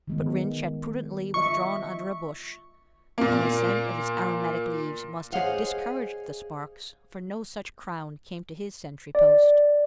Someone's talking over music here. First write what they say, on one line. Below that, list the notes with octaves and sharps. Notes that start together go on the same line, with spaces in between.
But Rynch had prudently withdrawn under a bush, and the scent of its aromatic leaves must have discouraged the sparks, for no such crown came to his sentry post.
D#3 G#3 B3
F4 D#5 E5 C#6
A#2 A#3
G#4 C5 C#5 D#5 F5 F#5
D5